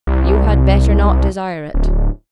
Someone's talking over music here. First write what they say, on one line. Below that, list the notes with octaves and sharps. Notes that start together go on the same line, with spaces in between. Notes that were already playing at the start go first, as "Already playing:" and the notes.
"You had better not desire it."
C2
D1